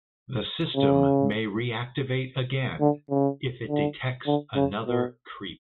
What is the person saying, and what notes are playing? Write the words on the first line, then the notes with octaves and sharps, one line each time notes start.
The system may reactivate again if it detects another creep.
C#3
D3
C#3
D3
D3
C#3
B2